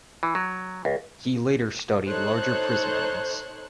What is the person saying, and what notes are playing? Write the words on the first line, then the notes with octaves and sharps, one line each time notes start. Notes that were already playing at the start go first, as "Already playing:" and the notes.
He later studied larger prismanes.
E3
F#3
C#2
D#4 A4 C5 C#5 F#6